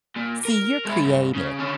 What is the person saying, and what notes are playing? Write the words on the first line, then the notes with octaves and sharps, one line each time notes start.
See, you're creative.
A#2
A#4
G#3 E4
C2 G2
C#3
D3 C#4